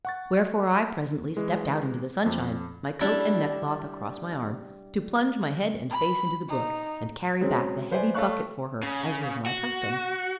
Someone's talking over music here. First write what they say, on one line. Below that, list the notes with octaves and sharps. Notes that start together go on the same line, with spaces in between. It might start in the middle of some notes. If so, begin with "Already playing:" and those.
Wherefore I presently stepped out into the sunshine, my coat and neckcloth across my arm, to plunge my head and face into the brook, and carry back the heavy bucket for her, as was my custom.
F#5 C#6 A6
E3 G#3
F2
G3 D4 E4 G4
B5
D#4
F#3 G#3 C4 C#4
B4 C5 D5 E5 G#5
A3 C#5 F5 C#6 F#6
C#3
F#4